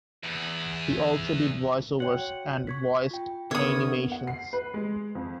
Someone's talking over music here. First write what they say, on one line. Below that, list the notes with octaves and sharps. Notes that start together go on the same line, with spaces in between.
He also did voice-overs, and voiced animations.
E2 E4
F#4 C#5 F#5 G5
C#6 G#6 B6
F4 G5
D3 B3 A4 A#4 C#5 E5 D#6
F#5
C7
B4
G#3
F2